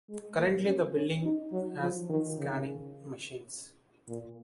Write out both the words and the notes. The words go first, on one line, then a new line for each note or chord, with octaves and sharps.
Currently, the building has scanning machines.
G#3
A#3
C#4
C#4
D#4
F#3
F3
D#3
C#3
A#2